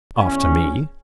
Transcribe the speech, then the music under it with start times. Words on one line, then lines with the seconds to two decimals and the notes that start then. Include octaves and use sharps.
"After me?"
0.17 E2 C#4